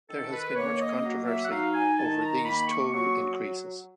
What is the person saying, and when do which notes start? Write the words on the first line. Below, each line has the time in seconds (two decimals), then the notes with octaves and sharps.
There has been much controversy over these toll increases.
0.08 D#3 A4
0.33 B4
0.56 A#3 C#5
0.79 D#5
1.03 F#3
1.26 E5
1.42 F#5
1.50 D#4 F5
1.74 G#5
1.98 D#3 A5
2.21 A#5
2.44 A#3 B5
2.68 C#6
2.92 F#3 C#6